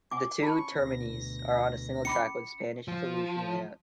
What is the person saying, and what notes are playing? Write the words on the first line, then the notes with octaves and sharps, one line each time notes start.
The two terminis are on a single track with a Spanish solution layout.
F#5 G#5 D6
C#4 E4 A5 B5 C#6
D2 B2 A#6
C#4 B5 D6 C#7
F3